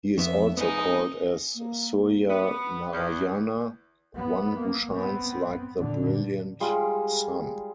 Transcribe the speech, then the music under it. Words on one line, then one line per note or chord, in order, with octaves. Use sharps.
He is also called as "Surya Narayana", one who shines like the brilliant sun.
F2 B3 E5
G#3 B3 D#4
A#3
B3
E2
B3
A#3
B3 C4
A#2 D3
G3 G#3 F4 G#4